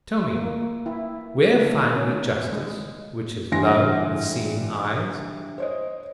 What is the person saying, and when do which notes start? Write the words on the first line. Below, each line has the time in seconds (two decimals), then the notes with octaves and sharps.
Tell me: where find we justice, which is love with seeing eyes?
0.35 A#3
0.86 E4
1.55 A3
1.75 D#3
1.96 C#4
2.52 G#3
3.52 G2 E3 G#5 C6 A#6
5.58 C5 C#5 D#5